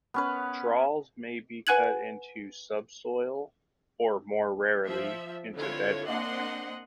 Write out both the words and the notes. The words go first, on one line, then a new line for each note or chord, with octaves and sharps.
Troughs may be cut into subsoil or, more rarely, into bedrock.
B3 C#4 B4
B4 F#5 G#5 F#6 G#6 F#7
F3 E5
D3 C4 E4 F4 C#5
A#3 C4 D4 D#5 F#5 C6